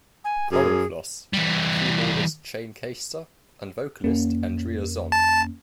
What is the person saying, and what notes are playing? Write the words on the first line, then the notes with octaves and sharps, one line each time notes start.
Corenflos; keyboardist Shane Keister, and vocalist Andrea Zonn.
G#5
F#2 G#4
E3 G3
F2 A#3 C#4
A5